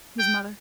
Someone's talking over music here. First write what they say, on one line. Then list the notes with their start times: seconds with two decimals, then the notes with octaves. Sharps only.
His mother.
0.19 G5